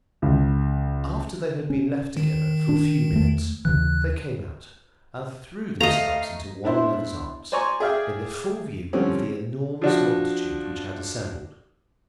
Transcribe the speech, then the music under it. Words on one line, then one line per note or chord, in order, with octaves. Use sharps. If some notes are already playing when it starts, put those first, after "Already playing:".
After they had been left together for a few minutes they came out, and threw themselves into one another's arms, in the full view of the enormous multitude which had assembled.
C#2
C#4
D#3
D4
E2 A3
D#2 C#3 E3 F#6
A3 D#5 F5 A#5
B3 D4 E4 C5
C5 D5 G#5 A#5 C#6
G#4 D5 E5 F5 G5
D3 F3 G3 C4 C#4
F3 D4 F#4